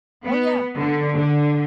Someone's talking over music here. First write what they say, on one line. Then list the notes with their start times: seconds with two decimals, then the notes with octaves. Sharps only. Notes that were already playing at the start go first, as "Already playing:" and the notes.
Oh, yeah.
0.25 B3
0.76 D3
1.14 D3